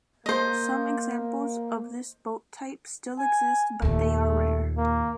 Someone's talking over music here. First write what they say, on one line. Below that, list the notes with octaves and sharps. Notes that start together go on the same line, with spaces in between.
Some examples of this boat type still exist but they are rare.
A#3 C5 D#5
G#5
D#2 A#2 A3
A#3